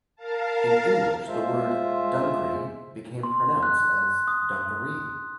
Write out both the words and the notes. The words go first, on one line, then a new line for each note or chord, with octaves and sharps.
In English, the word "dungri" became pronounced as "dungaree".
A#4 F5 A5
G#3 F4 C5 E5
C6
F#6
D#6